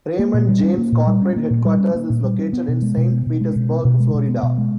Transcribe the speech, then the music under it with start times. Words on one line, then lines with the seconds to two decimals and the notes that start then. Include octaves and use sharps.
Raymond James corporate headquarters is located in Saint Petersburg, Florida.
0.19 A#3
0.34 A#2
0.49 G3
0.63 C#4
0.78 A#3
0.92 A#2
1.07 G3
1.22 C#4
1.36 A#3
1.50 A#2
1.65 G3
1.80 C#4
1.95 A#3
2.10 A#2
2.24 G3
2.38 C#4
2.53 B3
2.68 B2
2.82 G#3
2.97 B2
3.11 B3
3.26 B2
3.41 G#3
3.56 B2
3.70 B3
3.85 B2
4.00 G#3
4.14 B2
4.29 B3
4.43 B2
4.58 G#3